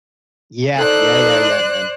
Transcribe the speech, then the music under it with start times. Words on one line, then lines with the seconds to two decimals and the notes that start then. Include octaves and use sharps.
Yeah. Yeah, yeah, yeah, man.
0.78 D#4 A4 C5 D5 F#6